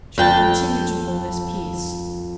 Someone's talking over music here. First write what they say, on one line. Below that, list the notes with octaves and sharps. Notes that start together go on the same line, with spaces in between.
Should he continue to hold his peace?
F2 G5 A5